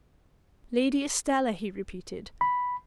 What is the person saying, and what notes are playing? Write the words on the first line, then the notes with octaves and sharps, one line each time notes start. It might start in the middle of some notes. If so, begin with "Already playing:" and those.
"Lady Estelle," he repeated.
B5